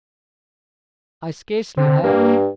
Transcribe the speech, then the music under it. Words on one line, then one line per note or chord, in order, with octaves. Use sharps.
"I scarcely have."
D3 C4
G2 A#3